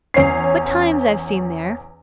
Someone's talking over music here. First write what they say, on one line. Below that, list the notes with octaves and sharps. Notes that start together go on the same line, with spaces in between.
'What times I've seen there!
E2 C#4 C#5 C7